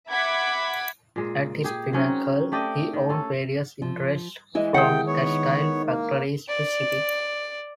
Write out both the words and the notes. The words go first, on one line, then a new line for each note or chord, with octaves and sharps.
At his pinnacle he owned various interests from textile factories to shipping.
E5 F#5 B5 D6 G#6 B6
A#2 G#3
G4 G#4
F#3 C4 C#4 D#4
A3 G4 D5 D#5
D#3
C#4 A4
F3
E3 G#3 E4 D#5
C3 D#3 G#4 F#5 G5
B3 C#5
A#3
D5